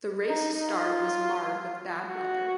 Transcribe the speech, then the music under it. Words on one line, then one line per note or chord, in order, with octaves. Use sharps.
The race start was marred with bad weather.
D#4
F4
F#4